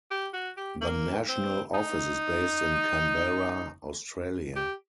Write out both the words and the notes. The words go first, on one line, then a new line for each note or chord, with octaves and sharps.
The national office is based in Canberra, Australia.
G4
F#4
G4
A#3
C4
D#4
G4